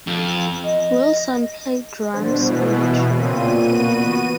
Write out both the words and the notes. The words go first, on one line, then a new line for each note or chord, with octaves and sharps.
Wilson played drums on the track.
F2
D#5
B2 D3 E3 G3 C5
A#2 E3 G3 E4
A#2 C#3 C4 D#7
E3 B3 F#4